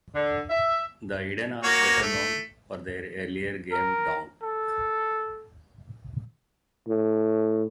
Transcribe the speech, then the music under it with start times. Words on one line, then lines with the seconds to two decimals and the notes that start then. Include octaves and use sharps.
The Hidden are better known for their earlier game Donk!
0.15 D3
0.50 E5
1.63 A#3 F#4 C#5
2.02 A3
3.72 A#4
4.43 A4
6.88 A2